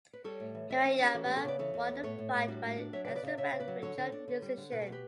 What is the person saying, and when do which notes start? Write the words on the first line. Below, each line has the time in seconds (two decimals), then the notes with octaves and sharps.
Hirayama won the fight by an extra round majority decision.
0.13 B4
0.24 G3 A4 C#5
0.40 A2
0.55 E3
0.70 E3 C#5 E5
0.85 C#4
0.99 C#4 G4 B4
1.14 E3 F#4 A4
1.25 B3 G4 B4
1.37 A4 C#5
1.44 C#3 B4 D5
1.59 E3 A4 C#5
1.74 E2
1.89 B3
2.03 A2 A4 C#5
2.18 A2
2.34 A2
2.48 G3 D4 F#4
2.63 A2
2.78 D4
2.93 F#3 C#5 E5
3.05 B4 D5
3.08 C#3
3.15 B4 D5
3.23 C#3 C#5 E5
3.37 C#3 C#5 E5
3.52 C#3
3.60 B4 D5
3.68 F#3
3.82 D3 A4 C#5
3.98 D3
4.12 D4
4.28 D3
4.42 G3
4.57 D3
4.72 B2 B4
4.82 A4
4.87 B3
4.92 G4 B4